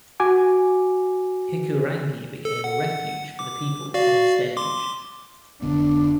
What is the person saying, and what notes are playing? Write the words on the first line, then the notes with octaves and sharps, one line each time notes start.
Hikurangi became a refuge for the people from this deluge.
F#4 G#5 D6
A4
F#5
D6
F#4 D5 F5
C6 D6
F1 D3 B3 D4